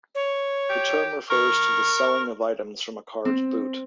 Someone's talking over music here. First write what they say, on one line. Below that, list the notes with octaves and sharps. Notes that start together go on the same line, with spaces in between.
The term refers to the selling of items from a car's boot.
C#5
G4
A#4 C#6
C4